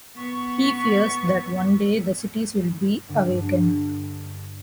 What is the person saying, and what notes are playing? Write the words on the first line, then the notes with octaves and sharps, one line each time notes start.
He fears that one day, the cities will awaken.
B3 C#6
G2 D3 D4